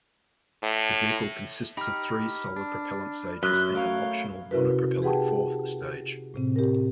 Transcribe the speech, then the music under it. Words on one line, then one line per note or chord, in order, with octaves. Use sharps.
The vehicle consists of three solid propellant stages and an optional monopropellant fourth stage.
A2
D#4 G4 B5 F6
D4
F#2 B4 E5 F#6 G7
A3 A#4 C#5 F5
C3 C#4 E4 F#4 A#4 B4
G4 G#4 B4 F#5 G5 A5
A2 C3 C4
G4 A#4